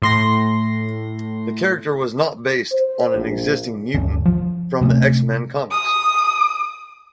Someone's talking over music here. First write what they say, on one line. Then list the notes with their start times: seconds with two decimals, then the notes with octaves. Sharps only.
The character was not based on an existing mutant from the X-Men comics.
0.02 A2 C6 A#6
2.72 C5
3.15 A#1
3.94 D1 G1 D3 C#4
4.25 F3
4.81 C3 A3 C#4
5.71 D#6